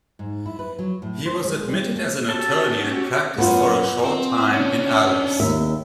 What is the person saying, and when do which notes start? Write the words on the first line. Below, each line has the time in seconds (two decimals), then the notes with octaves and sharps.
He was admitted as an attorney and practiced for a short time in Alice.
0.19 G#2
0.46 E4
0.59 B4
0.79 F#3
1.02 A2
1.26 C5
1.44 G#3
1.68 G3
1.96 A3
2.29 C#4 F#4 G4 A4
3.38 F#2 B3 F4
4.04 C4
4.53 C#4 D4
5.40 D#2 E5